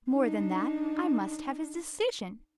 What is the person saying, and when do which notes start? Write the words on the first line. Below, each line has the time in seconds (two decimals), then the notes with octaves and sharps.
More than that, I must have his decision!
0.11 D4 D#4